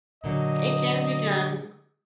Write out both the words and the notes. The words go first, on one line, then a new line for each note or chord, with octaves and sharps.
It can be done.
A#2 D3 F#3 D#5